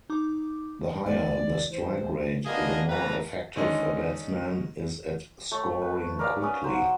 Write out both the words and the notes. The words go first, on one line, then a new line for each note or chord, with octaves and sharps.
The higher the strike rate, the more effective a batsman is at scoring quickly.
D#4 D6
E2 D5
C#2
E3 C5
D#2 A#2 G#3
A#3 B3 D4 F4 G#4 D#5
C#3 E3 A3 B4 A#5
D3 D#3 G#3 C#4 D#4
A3 C#5
B4
A#4 B4 D5 F5
C#4 B4 D#6
F#3 C5